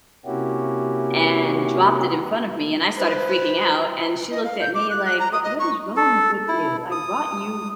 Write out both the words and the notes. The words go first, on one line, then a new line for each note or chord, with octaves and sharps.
and dropped it in front of me, and I started freaking out. And she looked at me like, what what is wrong with you? I brought you
C3 A#3 C#4 E4 F#4 G4
B4 C5
D#5
F5
G6
D6
F#6
F#6
A#5
D#6
D#5
C#6
A4
E4
D#6